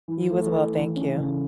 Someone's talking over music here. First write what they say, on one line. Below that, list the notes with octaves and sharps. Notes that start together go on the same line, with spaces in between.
You as well, thank you.
E3
A3
E3
E3
C#4
C#3